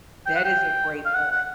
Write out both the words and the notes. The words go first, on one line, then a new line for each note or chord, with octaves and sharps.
That is a great point.
G5
F#5
G5
F5
F#5
F#5